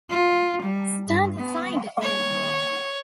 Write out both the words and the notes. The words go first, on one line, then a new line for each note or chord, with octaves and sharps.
Stand aside, then.
F4
G3
G2
B3
C#5